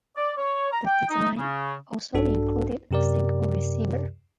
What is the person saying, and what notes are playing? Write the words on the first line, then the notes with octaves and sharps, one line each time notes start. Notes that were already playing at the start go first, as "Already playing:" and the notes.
The design also included a single receiver.
D5
C#5
A#5
G5
D#4
C#3
A#1 G2 D4 F#4 A4
F#2 C3 G4 A#4 D5